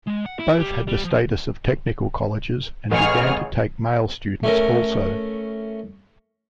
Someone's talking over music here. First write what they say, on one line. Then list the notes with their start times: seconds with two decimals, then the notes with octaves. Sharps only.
Both had the status of technical colleges, and began to take male students also.
0.07 G#3
0.26 F#5
0.39 E4
0.59 G3
0.88 G3
1.05 F3
2.91 A1 G#4 C#5 F6
4.43 A3 C#4 A#4